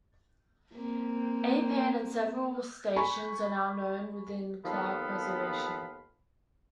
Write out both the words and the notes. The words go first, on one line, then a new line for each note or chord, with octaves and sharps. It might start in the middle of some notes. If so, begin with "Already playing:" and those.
A. Paine, and several stations are now known within Clark Reservation.
A#3 C4
G#5 B5 C#6
D#2 F3 B3 A4 F5 B5